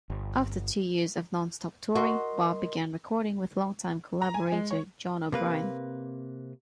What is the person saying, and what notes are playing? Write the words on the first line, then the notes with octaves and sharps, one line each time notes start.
After two years of nonstop touring, Bob began recording with longtime collaborator John O'Brien.
G1
F#4 A#4 D#5 C6
A#5
G#5
G#3
C#5
C3 A#3 B4